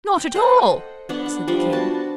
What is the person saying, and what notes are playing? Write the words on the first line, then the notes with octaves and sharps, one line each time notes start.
'Not at all,' said the King.
G5
A4 C5 D#5 F#5
B3 D4 F#5
F#5
F3 G3 D4
B3 F#4 A5